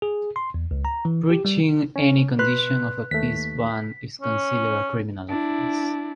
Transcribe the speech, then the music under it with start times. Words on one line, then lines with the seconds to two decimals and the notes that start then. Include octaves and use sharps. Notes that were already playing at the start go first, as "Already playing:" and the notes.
Breaching any condition of a peace bond is considered a criminal offence.
0.02 G#4
0.36 C6
0.54 E2
0.71 C#2
0.85 A#5
1.05 E3
1.30 G4
1.45 G3
1.96 C#4
2.39 B2 B4 C6 F#6
3.11 D#2 A3 B6
4.22 C#4
5.29 D4 E4